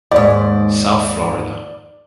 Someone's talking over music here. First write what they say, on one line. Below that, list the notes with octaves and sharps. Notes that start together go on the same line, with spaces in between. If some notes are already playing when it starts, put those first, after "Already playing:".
South Florida.
D#2 G#2 D5